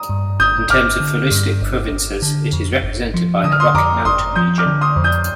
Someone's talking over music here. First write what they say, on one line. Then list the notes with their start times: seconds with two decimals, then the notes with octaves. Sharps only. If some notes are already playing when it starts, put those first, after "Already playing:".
In terms of floristic provinces, it is represented by the Rocky Mountain region.
Already playing: A#5 D#6
0.09 G2
0.40 G1 D#6 G6
0.70 G1 D6 F6
1.00 D3
1.31 G2
1.62 G1
1.92 G1
2.22 D3
2.53 F2
2.83 G1
3.14 F3
3.44 D3 D#6
3.52 F6
3.60 C6 D#6
3.74 F2 A#5 D6
4.05 G1 C6 D#6
4.35 F3 D#6 G6
4.58 D6 F6
4.66 D3
4.81 C6 D#6
4.96 F2
5.04 D#6 G6